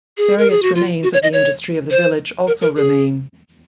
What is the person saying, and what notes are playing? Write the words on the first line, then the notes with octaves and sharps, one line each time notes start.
Various remains of the industry of the village also remain.
G#4
A#4
G#4
F#4
F4
F#4
C#5
D#5
C#5
C5
A#4
A#4
G#4